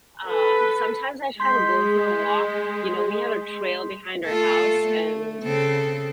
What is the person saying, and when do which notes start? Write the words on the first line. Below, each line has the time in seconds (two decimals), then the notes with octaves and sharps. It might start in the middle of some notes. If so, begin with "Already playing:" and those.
uh, sometimes I try to go for a walk. You know, we have a trail behind our house, and
0.25 A4 B4
1.40 G#3 C6 G6 B6
4.25 A3 F4 A4
4.87 A3
5.43 C#3 C4 A4